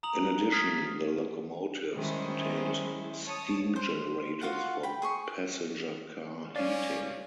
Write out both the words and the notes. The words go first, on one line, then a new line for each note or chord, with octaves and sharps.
In addition the locomotives contained steam generators for passenger car heating.
A#5 D#6 F7 F#7
D#6 F6 G#6 A6 B6 C7
D#3 G3 G#3 C#4 E4 C5
C#5 A5 D#6
C5
F4 F#4 F5 F#5
G5 B5
G#4 C6 C#6
G#3 C#4 C#5 D5 F5